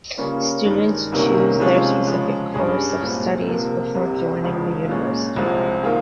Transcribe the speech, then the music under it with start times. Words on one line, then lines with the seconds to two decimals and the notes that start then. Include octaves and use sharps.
Students choose their specific course of studies before joining the university.
0.17 C#3 G3 A#3 C#4 F4
0.65 G2 D#3 G#3 D#4
1.12 C2 C3 D#3 A#3 C#4
1.59 C3 F3 G#3 C#4 F4
2.07 C#3 F3 G#3
2.54 G2 G3 C#4 G#4
3.00 C2 A#2 G#3 C4
3.48 C3 F3 A#3
3.94 C2 C3 G3
4.42 C#2 C#3 F3
4.89 A#2 G#3 C#4
5.36 C2 C3 F3 G#3 C4
5.83 D#3 A#3 F4 G#4